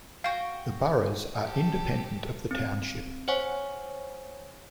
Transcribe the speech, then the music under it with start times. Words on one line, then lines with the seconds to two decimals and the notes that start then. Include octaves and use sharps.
The boroughs are independent of the township.
0.24 F#4 F5 G5
1.44 G4 A4
2.51 C4
3.28 C5 C#5 F#5 G#5 C#6